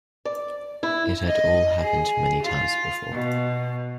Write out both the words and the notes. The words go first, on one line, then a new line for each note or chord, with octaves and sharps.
It had all happened many times before.
D5
E4
D#5
G#4
F4
B2